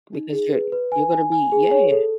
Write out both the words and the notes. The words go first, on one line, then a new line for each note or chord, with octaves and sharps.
because you're you're gonna be yeah.
D#4
G#4
B4
B4
G#5
G#5
G#5
G#4
C#5
A4